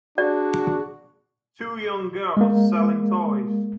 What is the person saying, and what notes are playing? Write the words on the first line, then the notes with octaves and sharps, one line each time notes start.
Two young girls selling toys.
D4 F#4 G#4 D5
G#3 A#3